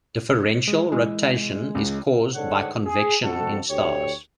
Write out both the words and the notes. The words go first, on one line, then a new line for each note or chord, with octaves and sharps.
Differential rotation is caused by convection in stars.
G#3
E3 G#3
C#2
G#2 D3 G3 A4 C#5 F#5
G#4
F2 F#4 A4
D2 G4 C#5